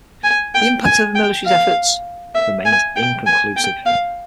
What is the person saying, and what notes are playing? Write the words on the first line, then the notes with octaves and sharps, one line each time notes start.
The impact on the military's efforts remains inconclusive.
G#5
G5
G#5
G5
F5
E5
G#5
G5
G#5
G5
F5